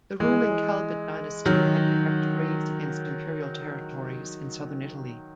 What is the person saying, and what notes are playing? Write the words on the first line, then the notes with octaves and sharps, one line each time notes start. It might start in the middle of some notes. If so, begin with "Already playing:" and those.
The ruling Kalbid dynasty had conducted raids against Imperial territories in southern Italy.
E3 G#3
D#3 F#3